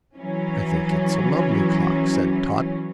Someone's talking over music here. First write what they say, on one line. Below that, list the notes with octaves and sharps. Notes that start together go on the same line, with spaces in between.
"I think it's a lovely clock," said Tot.
E3 F#3 C#4